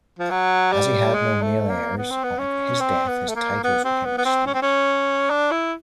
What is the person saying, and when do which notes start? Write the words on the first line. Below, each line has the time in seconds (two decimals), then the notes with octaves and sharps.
As he had no male heirs, on his death his titles became extinct.
0.19 F3
0.31 F#3
0.72 G3
1.14 G#3
1.42 A3
1.69 A#3
1.98 B3
2.10 C4
2.24 B3
2.39 C#4
2.80 C4
3.08 B3
3.28 A3
3.36 A#3
3.64 B3
3.85 C4
4.05 B3
4.18 B3
4.25 C4
4.47 C#4
4.54 C4
4.62 C#4
5.30 D4
5.51 E4